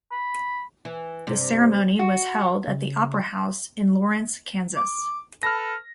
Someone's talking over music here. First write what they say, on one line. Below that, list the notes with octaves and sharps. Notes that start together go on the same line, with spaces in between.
The ceremony was held at the Opera House in Lawrence, Kansas.
B5
E3
G2 C3
F#4
C#3
D6
A4 B4 F6 A#6